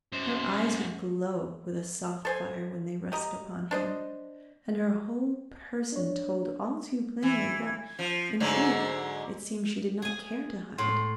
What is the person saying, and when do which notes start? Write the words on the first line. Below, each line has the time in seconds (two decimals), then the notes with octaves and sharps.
Her eyes would glow with a soft fire when they rested upon him, and her whole person told all too plainly what, in truth, it seemed she did not care to hide.
0.12 F#2 C5
2.25 A4 C5 G#5
3.12 G4 D#5 A#5
3.71 D4 C5 D#5
5.92 D4 C#5
7.23 E3
7.99 F3
8.40 G#2 D3 F#3
10.02 G#4 G#5
10.78 A2 C6